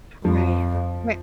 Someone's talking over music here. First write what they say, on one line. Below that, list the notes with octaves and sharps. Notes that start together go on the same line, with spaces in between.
Right. Ri
F2 F3